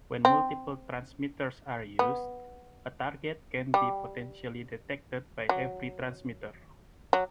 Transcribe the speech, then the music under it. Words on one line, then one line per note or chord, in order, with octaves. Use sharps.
When multiple transmitters are used, a target can be potentially detected by every transmitter.
C4
B3
G3
F#3
F#3